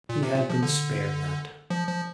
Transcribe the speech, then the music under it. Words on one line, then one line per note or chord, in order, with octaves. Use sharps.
He had been spared that!
A#2
C3
A#2
F3
D3
F3
F3